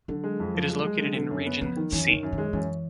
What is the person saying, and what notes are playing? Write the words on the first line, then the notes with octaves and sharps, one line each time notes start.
It is located in Region C.
D3 F#3
G#3
F2
F3
G#3
G#3
D3
D3
F#2
B3
F3 B3
D#3
F#2 E3
D3 D#3
F#2
D#3
G#3
F#2 E3